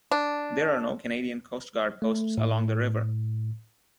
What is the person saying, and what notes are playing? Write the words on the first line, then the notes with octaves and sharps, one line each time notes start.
There are no Canadian Coast Guard posts along the river.
D4
A3
A2